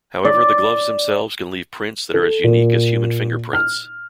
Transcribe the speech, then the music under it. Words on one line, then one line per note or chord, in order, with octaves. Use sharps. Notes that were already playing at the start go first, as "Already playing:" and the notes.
However, the gloves themselves can leave prints that are as unique as human fingerprints.
D5
A4
A#2
F6